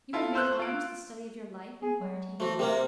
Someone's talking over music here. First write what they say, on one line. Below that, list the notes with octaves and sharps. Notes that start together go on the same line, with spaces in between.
"You have made arms the study of your life?" inquired he.
E4 F4 A4
C5 E6 F#6 G6
F4 D7
G#4
F#3
E3 A3 F#4 C5
C3 G3 A#3 C4 A#4